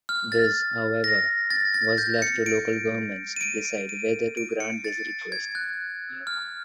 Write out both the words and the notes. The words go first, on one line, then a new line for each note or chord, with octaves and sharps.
This however was left to local governments to decide whether to grant this request.
F6
A6
A#6
A6
A6
G6
C#7
D7
D#7
D7
D7
D#7
D7
C#7
A6
G#6
F#6
F6